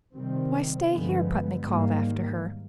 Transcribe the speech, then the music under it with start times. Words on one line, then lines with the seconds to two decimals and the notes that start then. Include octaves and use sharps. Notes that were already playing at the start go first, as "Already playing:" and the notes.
"Why, stay here!" Putney called after her.
0.15 C3 D#3 G3 C4
0.90 G2 D3 F3 G#3 B3
1.64 G#2 D#3 G3 A#3